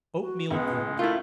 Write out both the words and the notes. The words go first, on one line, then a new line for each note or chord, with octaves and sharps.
Oat-meal Gruel.
F#4
C#2 G#3 B3
A3 E4 F4 A#4